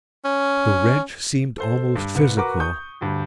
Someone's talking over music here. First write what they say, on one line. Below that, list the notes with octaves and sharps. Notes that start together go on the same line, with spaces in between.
The wrench seemed almost physical.
C#4
A4 C5
G2
C2 B4 C#7
F#4 A#4 B4 A#5 D6
C#6 D#6 G6
D2 G2